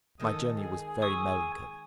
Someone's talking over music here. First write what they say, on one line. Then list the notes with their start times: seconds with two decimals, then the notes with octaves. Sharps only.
My journey was very melancholy.
0.20 D#3 G#3 A4 D#6
0.56 G#4
1.02 G#5 C#6 D#6 E6